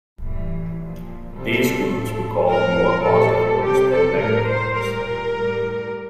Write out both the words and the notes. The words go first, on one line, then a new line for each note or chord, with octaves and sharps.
These groups recalled more positive words than negative words.
A2 E3 G3
A#2 F3
C3 G3 A4
A2 F3
A2 F3 A#4
A#2 G3 A4
C3 G3 G4
A4
A2 G3 A#4
C5
A#2 G3 A#4
A2 G3